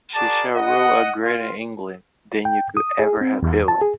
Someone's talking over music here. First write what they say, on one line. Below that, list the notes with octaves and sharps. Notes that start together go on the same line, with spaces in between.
She shall rule a greater England than you could ever have built.
F#4 G#4 A#4 D5 A5 D6
D#5 F#5
F4
G5
D#6
G#4
C4
E2
A5
G#4